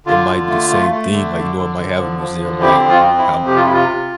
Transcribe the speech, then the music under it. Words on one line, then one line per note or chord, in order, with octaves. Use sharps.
it might be the same thing. Like, you know, it might have a museum, like, how
D3 F4
D3
A3
A3
A3
D3
D3
D3
D3
F3
F3
D3
C4 E4 G4
F2
F4
C4
E4
F2
C3 G4
F4
E4
C3 F4
C3